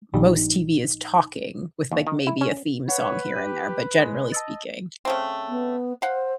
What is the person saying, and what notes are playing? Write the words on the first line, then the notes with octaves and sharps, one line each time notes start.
most TV is talking with, like, maybe a theme song here and there, but generally speaking,
A#1 G3 D#4
D#2
D#3
E4
C#4
B4 C#5 F#5
G4 D#7
G#3
D#5 A5 E6 A6
C#3 A3 C4
B3
C5 F5 F#5